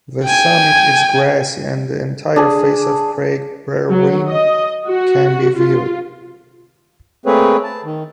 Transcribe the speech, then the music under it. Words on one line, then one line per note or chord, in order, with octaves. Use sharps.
The summit is grassy, and the entire face of Craig Berwyn can be viewed.
G5 G#5
D4 G#4
F#3
D#5
F#4
F4
A3 A#3 C4 G#4 B4 C#5
A5
D#3